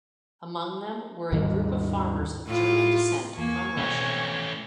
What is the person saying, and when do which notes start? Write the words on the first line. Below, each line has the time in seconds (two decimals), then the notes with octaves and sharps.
Among them were a group of farmers of German descent from Russia.
1.32 D#2 G#2 D#3 G3
2.47 A2 F4
3.37 E2 A#3 G#5 C#6
3.77 B2 A3 C4 C#4